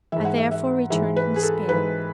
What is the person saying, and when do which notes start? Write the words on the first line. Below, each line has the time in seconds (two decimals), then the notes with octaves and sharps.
I therefore returned in despair.
0.12 G#2 E3 E5
0.25 F#5
0.38 E5
0.51 E5
0.90 G#2 E3 E5
1.16 B4
1.36 G#4
1.43 A4
1.68 G#2 E3 B4